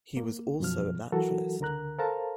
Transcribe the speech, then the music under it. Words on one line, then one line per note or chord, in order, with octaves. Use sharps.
He was also a naturalist.
A#3
F#2 B2 F3 F6
E3 F#3 F#4 A4 A#4
C#2 D3 A#4 A#5 F#6
A4 A#4 C5 F5 A5 A#5